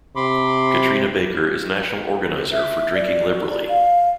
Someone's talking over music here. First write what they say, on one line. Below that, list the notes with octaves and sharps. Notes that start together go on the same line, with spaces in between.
Katrina Baker is National Organizer for Drinking Liberally.
C3 B5 C6 D6
E5
D5
F#4
D5
F5